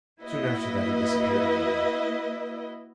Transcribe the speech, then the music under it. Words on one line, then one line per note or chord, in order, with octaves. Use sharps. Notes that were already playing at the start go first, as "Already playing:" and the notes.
Soon after that he disappeared again.
A#3 E4 F#4 B4 D#5